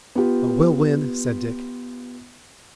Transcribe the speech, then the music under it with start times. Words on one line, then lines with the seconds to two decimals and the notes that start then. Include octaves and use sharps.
"But we'll win!" said Dick.
0.15 B3 F4 G4